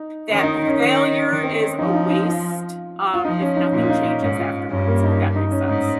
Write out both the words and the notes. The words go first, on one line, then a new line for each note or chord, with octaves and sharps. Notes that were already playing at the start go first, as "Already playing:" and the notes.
that failure is a waste, um, if nothing changes afterwards, if that makes sense,
Already playing: D#4
D#3 C#4
D#4
D#4
C#4
D#3
D#3
C4
C#4
F3 D#4
F4
D#4
D#4
F4
F4
F3 D#4
C#4
D#4
A#2 F4
F4
D#4
C#4
G#2 C#4
F4
G2 C#4
A#3
D#4
D#4
C#4
G#2 D#4